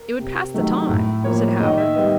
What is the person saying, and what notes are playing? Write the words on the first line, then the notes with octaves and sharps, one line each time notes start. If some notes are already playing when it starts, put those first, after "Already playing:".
"It would pass the time," said Howard.
Already playing: A#4
C3
D#3 F#3 A3
A2
F3 A#3 C#5
D#3 D#5
E5
G3 B3 D#5